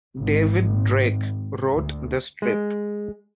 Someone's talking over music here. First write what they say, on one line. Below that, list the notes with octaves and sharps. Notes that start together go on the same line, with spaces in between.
David Drake wrote the strip.
G#1
D2
G#3